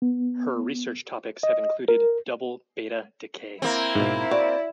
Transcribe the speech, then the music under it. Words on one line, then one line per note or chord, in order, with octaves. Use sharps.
Her research topics have included double beta decay.
B3
D#5
A#4
A#3 C4 E4
G#2 B2
F#4 D5